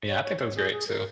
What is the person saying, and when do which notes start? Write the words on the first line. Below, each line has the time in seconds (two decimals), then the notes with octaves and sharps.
Yeah, I think that's great too,
0.08 C#5
0.24 C#5
0.40 C#5
0.55 G#4
0.72 G#4
0.87 A#4